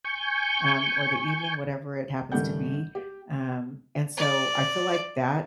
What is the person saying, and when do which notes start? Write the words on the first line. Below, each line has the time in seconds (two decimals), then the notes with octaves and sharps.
um, or the evening, whatever it happens to be. Um, and so, I feel like that
0.04 G#5 C#6 G6
2.32 G#1 C#3 G3 A3 F#5 G6
2.95 G4
4.17 D5